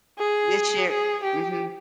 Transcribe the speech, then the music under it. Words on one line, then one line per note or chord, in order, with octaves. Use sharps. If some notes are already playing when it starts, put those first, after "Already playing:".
this year mhm.
G#4
G#4
G4